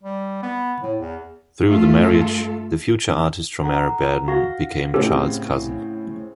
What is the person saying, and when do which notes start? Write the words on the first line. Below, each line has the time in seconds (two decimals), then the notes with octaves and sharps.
Through the marriage, the future artist Romare Bearden became Charles' cousin.
0.03 G3
0.43 B3
0.82 A2
0.99 E2
1.66 G2 A3 F4 A4
3.64 A4 F#5 A#5
4.28 F#4 F5 F#5 A#6
4.94 A2 C#3 C4 G4 A4